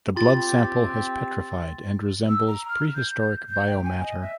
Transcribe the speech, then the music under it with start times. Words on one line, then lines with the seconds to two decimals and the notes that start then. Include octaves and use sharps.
The blood sample has petrified and resembles prehistoric biomatter.
0.16 C4 F4 G4 C6 A6
2.29 E6
2.47 A#5
2.69 F6
2.95 G6
3.49 G6
3.67 G5
3.84 G#5
4.03 D#5
4.21 E5